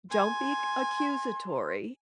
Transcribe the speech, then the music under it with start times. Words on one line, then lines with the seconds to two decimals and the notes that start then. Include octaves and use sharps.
don't be c accusatory,
0.11 G#5 C6